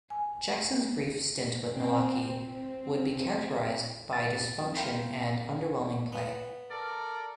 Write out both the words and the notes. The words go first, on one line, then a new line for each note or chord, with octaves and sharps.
Jackson's brief stint with Milwaukee would be characterized by dysfunction and underwhelming play.
G#5
C4
C4
A6
E4 F4 A#4 G5
B3
A4 A#4 D5